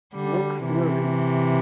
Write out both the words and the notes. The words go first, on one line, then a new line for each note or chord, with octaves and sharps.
Nick Fury.
D3 G3
C3 E3